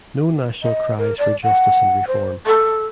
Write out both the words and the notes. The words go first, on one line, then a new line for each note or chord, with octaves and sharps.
No national cries for justice and reform.
D#5
A#4
D5
F#5
C5
A4